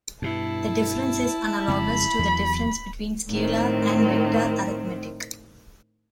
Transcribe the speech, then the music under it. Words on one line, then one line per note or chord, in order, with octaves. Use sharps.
The difference is analogous to the difference between scalar and vector arithmetic.
G2 B2 E4 A5
F2 C#3 G#3 B5
E2 F#3
A2 D#3 C4